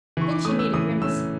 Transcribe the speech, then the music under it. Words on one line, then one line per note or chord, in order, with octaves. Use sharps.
Then she made a grimace.
E3 C#6
D6
A3 C#4 D#6
E6
E3 D#6
A3 C#4 E6